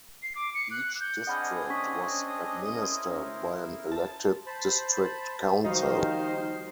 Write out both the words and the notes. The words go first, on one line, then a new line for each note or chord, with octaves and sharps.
Each district was administered by an elected district council.
C7
D6
C#7
F#6
G6
C4 D4 G#4 D#5 F#5 B5 F6
C#4 C#6 B6
E4 A#4 C5 D#6
A5
C5 A5 B5
D#2 D#3 F3 G3 D#4 F#4 C5 F5